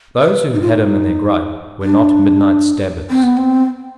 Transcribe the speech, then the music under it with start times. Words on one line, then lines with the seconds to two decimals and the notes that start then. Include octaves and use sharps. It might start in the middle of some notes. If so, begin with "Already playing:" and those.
Those who had him in their gripe were not midnight stabbers.
0.21 B4
0.53 D#4
0.61 F4
0.69 D#4
1.82 D4
3.10 C4
3.23 B3
3.37 C4